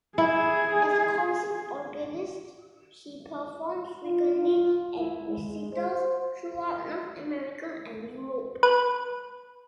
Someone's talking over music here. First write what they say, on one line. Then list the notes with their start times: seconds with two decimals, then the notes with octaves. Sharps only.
As a concert organist, she performs frequently at recitals throughout North America and Europe.
0.18 E4 G#4
4.03 F4
4.35 F4
4.96 E4
5.29 G#3
5.73 C5
8.63 B4